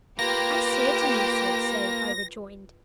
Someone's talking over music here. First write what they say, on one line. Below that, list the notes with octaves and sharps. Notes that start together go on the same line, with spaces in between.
"I certainly said so," I rejoined.
A#3 F4 G4 B4 A#6